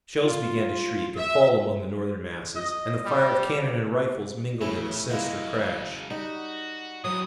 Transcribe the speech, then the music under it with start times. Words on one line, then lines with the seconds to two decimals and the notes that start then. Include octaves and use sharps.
Shells began to shriek and fall among the Northern masses, and the fire of cannon and rifles mingled in a sinister crash.
0.24 F4
1.16 E5
2.56 D#5
3.05 G3
4.61 A2 C#3 C#4 E4
5.10 C#3 F#3 G#3 A#3 E4
6.11 G3 D#4 F#4
7.04 E2 G2 F#3 D#6